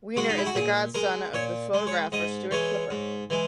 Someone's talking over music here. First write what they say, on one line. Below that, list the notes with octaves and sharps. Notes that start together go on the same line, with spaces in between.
Weiner is the godson of the photographer Stuart Klipper.
G#3 F#4
D#4
E4
F#4
A#2 G#4
G#3 A#4
A#2 C#5
G#3
C#5
G#2 D#5
E3 G#3 C#5
G#2
E3 G#3